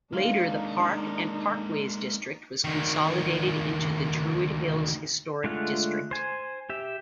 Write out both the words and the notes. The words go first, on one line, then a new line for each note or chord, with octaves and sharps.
Later the Park and Parkways district was consolidated into the Druid Hills Historic District.
G#3 A#3 D4 D#4 F5
D2 D#3
D3 G#3 A3 F4 F#5
C5 G#5
G4 E5